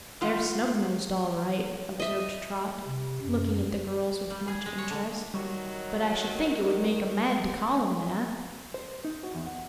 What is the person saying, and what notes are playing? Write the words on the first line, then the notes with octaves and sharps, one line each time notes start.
"They're snubnosed, all right," observed Trot, looking at the girls with much interest; "but I should think it would make 'em mad to call 'em that."
E2 F4 F#5
D#5 E5
C3
F#2
G3
G#4
G#3
C#5
D3
D#3 F#3 G3 C#6
C5
D#4
F#4
E2
F#5